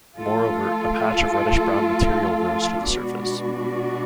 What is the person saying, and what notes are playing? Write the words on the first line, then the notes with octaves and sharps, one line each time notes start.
Moreover, a patch of reddish-brown material rose to the surface.
F3 A3 F4 A4
B2 G#3 B3 D4 F#4